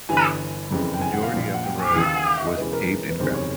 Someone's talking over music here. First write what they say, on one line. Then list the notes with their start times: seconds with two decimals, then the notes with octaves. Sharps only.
A majority of the road was paved in gravel.
0.09 G1 G2 E3 G#5
0.71 F#1 F2 C#3 E3
0.94 G5
1.02 G#5
1.13 F#5
1.23 F5
1.33 A#1 A#2
1.43 F5
1.54 F#5
1.64 G5
1.79 G#5
1.95 D#2 C#3 E3 G5
2.06 F5
2.15 F#5
2.27 F5
2.37 E5
2.46 D#5
2.57 E1 E2 C#3 E3 B4
2.73 A#4
3.09 B4
3.19 F#1 E2 C3 D#3 C5
3.34 C#5